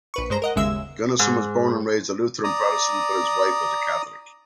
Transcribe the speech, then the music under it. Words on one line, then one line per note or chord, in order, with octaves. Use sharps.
Gunnarsson was born and raised a Lutheran Protestant, but his wife was a Catholic.
A#1 B4 C#6
G2 G#3 C5 A#5
A#4 D#5 F#5
G1 D#2 C#3 G#3 E5 E6
G#2
D5 A#5 D#6